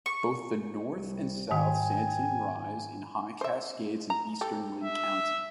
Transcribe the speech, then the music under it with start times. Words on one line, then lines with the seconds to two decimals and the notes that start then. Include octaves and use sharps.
Both the North and South Santiam rise in high Cascades in eastern Linn County.
0.06 C#6
0.97 C2 G3
1.51 G#2 D#3 G5 G#5
3.41 C5 E5
4.10 A#5
4.41 G3 A4 G5
4.84 E5